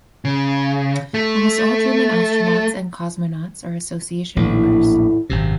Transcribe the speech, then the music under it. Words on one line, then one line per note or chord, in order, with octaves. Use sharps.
Almost all German astronauts and cosmonauts are association members.
C#3
A3
A#1 E2 A2
G#1 F#2 C3